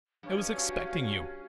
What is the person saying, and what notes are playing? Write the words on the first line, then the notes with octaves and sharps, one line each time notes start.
I was expecting you.
G2 C#4
F#4 C#5 F5